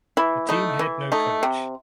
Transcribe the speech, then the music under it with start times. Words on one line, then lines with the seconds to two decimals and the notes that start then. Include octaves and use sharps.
The team had no coach.
0.17 E3 E4
0.49 A3 D#4
0.79 E3
1.12 A3 D#4
1.43 C3